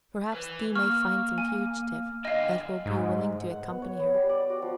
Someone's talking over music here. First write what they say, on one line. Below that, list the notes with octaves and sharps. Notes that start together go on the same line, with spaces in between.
Perhaps thee may find some fugitive that will be willing to accompany her.
B4 G#5
A#3 C#6 F6
G#5
D3 D#5 F5 G5 G#5
G#2
F#5
B3
C#5
B3
G3
D5
F#4
F3